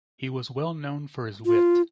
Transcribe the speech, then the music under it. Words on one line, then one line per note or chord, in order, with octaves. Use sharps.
He was well known for his wit.
F4